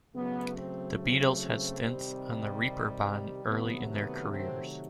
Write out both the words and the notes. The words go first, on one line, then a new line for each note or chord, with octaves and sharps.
The Beatles had stints on the Reeperbahn early in their careers.
C#3 F#3 A3 B3
C4
C4
C4
C3 D#3 G3
C3 D#3 F#3 A3 B3
B3
C4